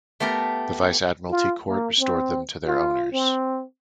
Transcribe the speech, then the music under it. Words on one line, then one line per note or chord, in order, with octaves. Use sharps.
The Vice Admiralty Court restored them to their owners.
A3 B3 G4 A#4
F4
A#3
C4
F4
C4